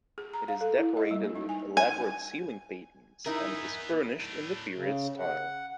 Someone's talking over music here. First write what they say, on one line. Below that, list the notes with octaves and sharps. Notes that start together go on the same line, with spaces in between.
It is decorated with elaborate ceiling paintings and is furnished in the period style.
G#4
A#5
F5
A4
E4
D#5
G3
A#3
D#4
G#5
G#5
B3 D#4 E4 G#4 A#4
A2 D4
C#3
F#5